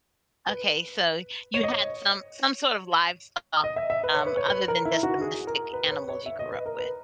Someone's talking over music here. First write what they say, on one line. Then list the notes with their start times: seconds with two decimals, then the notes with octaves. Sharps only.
Okay. So, you had some some sort of livestock, um, other than just domestic animals you grew up with.
0.49 B4
1.54 C#5
1.63 D#5
1.73 C#5
3.64 D#5
3.76 E5
3.90 E5
4.04 B4
4.15 C#5
4.26 B4
4.37 C#5
4.48 B4
4.68 A#4
4.85 E4
5.03 F#4
5.21 G#4
5.47 A#4
5.73 B4
5.86 B4
5.91 C#5
6.09 C#5
6.26 E5
6.39 D#5
6.52 B4
6.66 A#4
6.78 B4